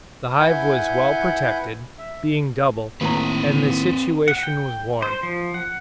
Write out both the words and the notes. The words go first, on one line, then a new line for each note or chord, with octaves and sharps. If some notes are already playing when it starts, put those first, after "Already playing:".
The hive was well protected, being double, and the situation was warm.
E4 B4 F#5 G#5 G6
E5
D#2 A2 C4 B4 A#5
F#5
G5
C5
F3
F#5